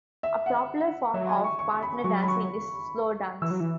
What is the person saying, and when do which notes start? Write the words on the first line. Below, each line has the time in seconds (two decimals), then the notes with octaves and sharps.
A popular form of partner dancing is slow dance.
0.23 E5
0.46 F#5
1.14 F#3 E5
1.29 G#5
1.44 C#6
1.59 C#6
1.83 B5
2.04 F#3 C#6
2.22 B5
2.28 C#6
3.42 E3 E6
3.51 F#3
3.60 E3